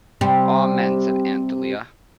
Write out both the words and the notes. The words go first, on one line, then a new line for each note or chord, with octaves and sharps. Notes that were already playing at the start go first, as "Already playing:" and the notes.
"Amen," said Aunt Dahlia.
C3 G3